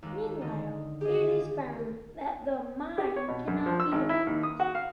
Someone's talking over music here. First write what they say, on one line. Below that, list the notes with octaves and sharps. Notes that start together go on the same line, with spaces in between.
Meanwhile, it is found that the mine cannot be defused.
D#2 G#3
D3 D#3 D#5
G4 G#4 D#5
A#4
G4
C#5
B2
F#2
F3
E6
G#1
E4
D#2
D#6
F#4
F5